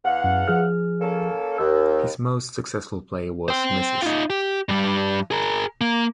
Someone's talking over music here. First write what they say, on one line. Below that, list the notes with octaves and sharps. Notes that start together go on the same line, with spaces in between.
His most successful play was Mrs.
E2 F5 F#5
F#2
F3 G#4 F6
A#3 C#4 A4
D#2 E6
C5 G5
D#4 F4
G4
G2 G3
G#4 A#4
A#3